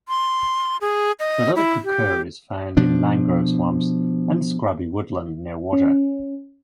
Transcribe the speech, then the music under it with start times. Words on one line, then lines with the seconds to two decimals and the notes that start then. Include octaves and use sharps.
The little cuckoo is found in mangrove swamps, and scrubby woodland near water.
0.08 C6
0.81 G#4
1.19 D#5
1.56 E4
1.84 G4
2.77 B2 F3 D4
5.73 C#4